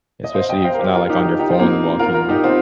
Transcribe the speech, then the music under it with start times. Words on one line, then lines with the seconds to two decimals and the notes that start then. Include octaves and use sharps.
Especially if you're not, like, on your phone and walking,
0.24 D#5
0.34 C5 F5
0.49 D#5 G5
0.64 C5 F5
0.74 A#4
0.79 G4 C5
0.95 F4 A#4
1.10 D#4 G4
1.24 D#4 G4
1.39 D#4 G4
1.49 C4 F4
1.59 A#3 D#4
1.99 F4 A#4
2.14 F4 A#4
2.29 D#4 G4
2.44 C4 F4